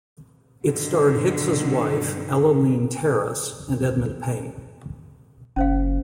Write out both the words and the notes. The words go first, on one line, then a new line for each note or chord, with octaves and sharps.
It starred Hicks's wife, Ellaline Terriss and Edmund Payne.
G2 B2 D3 D#3 F#3
F#1 C#4 C5 F5